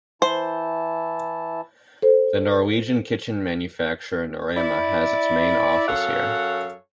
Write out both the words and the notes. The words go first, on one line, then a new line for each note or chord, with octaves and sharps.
The Norwegian kitchen manufacturer Norema has its main office here.
E3 E4 C5 A5
A4 C5
E4 D5
F#2 A4 C#5 F5 F#5